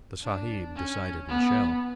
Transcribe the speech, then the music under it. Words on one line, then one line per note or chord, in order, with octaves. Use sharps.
The "Sahib" decided Michele.
D4
C#4
B3